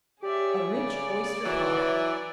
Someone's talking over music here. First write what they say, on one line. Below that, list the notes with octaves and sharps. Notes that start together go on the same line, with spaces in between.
A Rich Oyster Pie.
G4 G#4 C#5 D5 E5
C#3 D5
E3 F#3
F#3